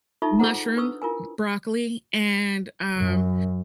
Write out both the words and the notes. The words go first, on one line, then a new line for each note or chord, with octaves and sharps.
mushroom, b broccoli, and, um,
D#4 F4 A4 E5 A5 C#6
F4 G#4 A4 C5 F#5 A#5
D4 B4 C#6 D#6 E6
E4 F4 A#4 G#5
F#2